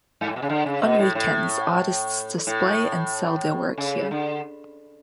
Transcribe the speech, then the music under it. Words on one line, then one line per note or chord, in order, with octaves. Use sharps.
On weekends, artists display and sell their work here.
G#2
A2
B2
C#3
D3
C#3
B2
A2
A2
A2
C#3
D3